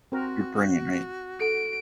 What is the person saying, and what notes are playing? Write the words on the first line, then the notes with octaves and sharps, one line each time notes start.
your brain, right?
C4 F#4 A#4
A4 F#5 D7